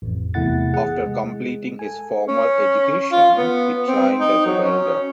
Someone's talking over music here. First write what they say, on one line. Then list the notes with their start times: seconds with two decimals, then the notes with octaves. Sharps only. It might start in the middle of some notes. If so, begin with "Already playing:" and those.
After completing his formal education, he trained as a welder.
0.02 A1 F2
0.34 E2 C3 A3 E4 F#5 A6
0.74 G#4 F#5
1.06 G#3
1.79 A4 G#5
2.28 C#4
3.12 F4
3.38 B3
3.88 C4
4.20 D#4
4.46 F#3
4.64 C#4